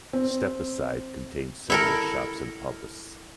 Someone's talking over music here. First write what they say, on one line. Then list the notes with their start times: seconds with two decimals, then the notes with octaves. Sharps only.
Stepaside contains several shops and pubs.
0.13 C4
1.70 E4 A4 A#4